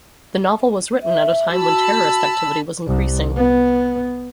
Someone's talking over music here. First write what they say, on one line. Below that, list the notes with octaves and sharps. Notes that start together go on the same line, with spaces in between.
The novel was written at a time when terrorist activity was increasing.
E5
F#4 A5 B5 E6
C2
B3